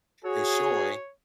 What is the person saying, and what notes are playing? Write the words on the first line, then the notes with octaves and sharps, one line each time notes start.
is showing
F#4 G#4 C#5